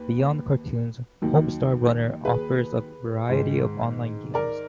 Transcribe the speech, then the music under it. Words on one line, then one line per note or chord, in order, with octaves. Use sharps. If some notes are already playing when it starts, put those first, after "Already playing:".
Beyond cartoons, "Homestar Runner" offers a variety of online games.
Already playing: D#2 B4
D#2 D#3 F#3
G#4 B4
G#2 D#3 G#3
A#4 D5